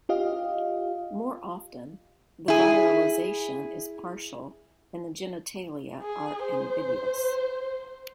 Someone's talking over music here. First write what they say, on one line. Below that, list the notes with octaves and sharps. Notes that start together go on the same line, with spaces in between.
More often, the virilization is partial and the genitalia are ambiguous.
F4 G4 D#5 F5
E4 G#4
G#4
C5